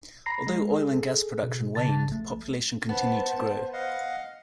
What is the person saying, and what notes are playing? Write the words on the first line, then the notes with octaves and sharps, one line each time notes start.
Although oil and gas production waned, population continued to grow.
A#5 B5 A#6 C7
G#3
G#4 A4
B2
C#3 A5 A6
A#1 A3
B3 C5 A5
D#5 F5 F#5